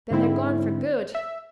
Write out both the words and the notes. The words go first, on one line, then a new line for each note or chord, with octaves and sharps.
"Then they are gone for good."
G#2 D3 C4 E4
E5